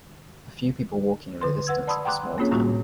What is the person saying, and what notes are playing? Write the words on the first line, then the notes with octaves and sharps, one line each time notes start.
A few people walking in the distance of a small town.
D3 B4 C6
B4 F#5 E6 G#6
D5 A5 B5 C6 D#6 E6
F#5 G5 A#5 C6 D6 F#6
A#3 C4 C#4 F4 G#4 C#5
A2 G3 A#3 F4 F#4 C#6